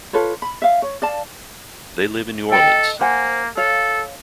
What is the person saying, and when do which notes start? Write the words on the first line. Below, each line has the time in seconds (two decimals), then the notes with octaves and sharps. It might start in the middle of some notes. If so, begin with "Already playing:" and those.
They live in New Orleans.
0.13 F4 A4 B4 C#5
0.42 B5
0.62 E5 F5
0.82 C#5
1.02 D5 F5 A5
2.52 A4 D#5 G5
3.01 A#3 C5 F#5 G#5
3.57 A4 C#5 F5